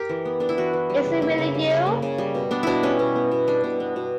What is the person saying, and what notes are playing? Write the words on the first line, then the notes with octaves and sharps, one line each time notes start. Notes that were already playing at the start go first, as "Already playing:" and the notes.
Is it really you?
Already playing: G4 A#4
E3
B3
B3 D4
E4
E3 F#4
E3
G3
C#3
A#3 E4
C#3
G3
C#3
A#3
C#3
G3
B2
B3 D4
B2 D4 E4
G3 C#4
B2
B3
B2
G3 D4
B2
B3
B2